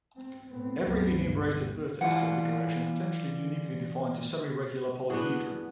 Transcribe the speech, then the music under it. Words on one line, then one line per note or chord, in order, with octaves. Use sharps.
Every enumerated vertex configuration potentially uniquely defines a semiregular polyhedron.
C4
A2 B3 C4
C#2 G2 F#3 B3 C4
G1 G2 B2 G3
E3 G3 F4 F#5
B3 D4 E4 F#4 G#4